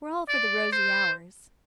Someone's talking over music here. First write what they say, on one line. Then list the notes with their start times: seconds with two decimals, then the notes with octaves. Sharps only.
We're all for the rosy hours.'
0.29 D5
0.72 C5